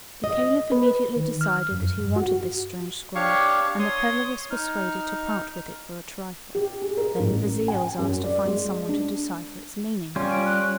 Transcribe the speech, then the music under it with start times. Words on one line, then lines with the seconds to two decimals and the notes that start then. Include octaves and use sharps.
The Caliph immediately decided that he wanted this strange scroll, and the peddler was persuaded to part with it for a trifle. Then the Vizier was asked to find some one to decipher its meaning.
0.24 D#5
0.72 B4
1.16 D#3
1.41 F6
1.71 F#2
2.00 G2
2.16 F#4
3.15 D4 G4 C#5 F5 C#6
3.79 C#5 C6 D#6
4.50 D#4 F6
6.55 G4
6.82 G#4
6.97 A#4
7.19 A1
7.68 G#5
7.99 F#2
8.24 D5
8.45 G#3
8.89 D4
10.16 G3 C#4 F4
10.32 D7
10.45 F#6